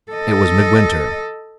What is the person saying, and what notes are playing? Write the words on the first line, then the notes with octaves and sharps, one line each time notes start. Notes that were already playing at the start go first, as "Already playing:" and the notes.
It was midwinter.
A4 D#5